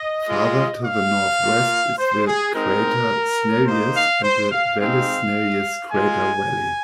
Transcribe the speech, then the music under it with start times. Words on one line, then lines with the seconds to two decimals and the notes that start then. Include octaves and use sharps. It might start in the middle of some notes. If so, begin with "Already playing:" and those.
Farther to the northwest is the crater Snellius and the Vallis Snellius crater valley.
Already playing: D#5
0.29 G#3 F4
0.85 F5
1.42 A#3 F4
1.99 C5
2.27 G#4
2.54 G#3 C4 D#4 A#4
3.67 A#3 D#4 C5
3.95 F5
4.24 C5
4.52 F5
4.80 G#3 C4 D#4 F5
5.92 G#3 F4 G#5